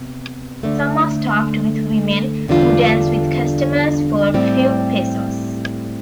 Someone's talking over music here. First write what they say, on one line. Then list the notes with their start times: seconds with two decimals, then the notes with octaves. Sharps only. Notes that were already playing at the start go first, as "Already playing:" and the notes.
Some are staffed with women who dance with customers for a few pesos.
Already playing: C3 B3
0.63 D2 D3 A3
2.48 E2 D3 G3 D4 F4
4.34 A2 G3 C4 G4